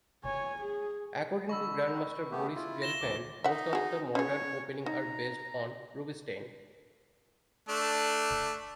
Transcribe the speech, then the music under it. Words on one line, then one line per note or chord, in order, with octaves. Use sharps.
According to Grandmaster Boris Gelfand, Most of the modern openings are based on Rubinstein.
C#5 G#5
G#4
D3 D#5 B5 C#6 E6
A3 B3 G4
E4 F4
A#6 E7 G7
D2 E3 D6
D#4 E5 F#5
F#4 G#4
C#4 G#4 C#5
D#4 A#5
A3 D4